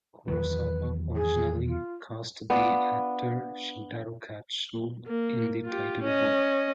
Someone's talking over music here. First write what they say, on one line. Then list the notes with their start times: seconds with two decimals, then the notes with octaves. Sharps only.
Kurosawa originally cast the actor Shintaro Katsu in the title role.
0.28 E2 D#3 F#3 B4
1.16 G#4
1.67 F4
2.50 B3 D4 F4
5.07 A#3
5.65 F4 G4
6.03 C#4 D#5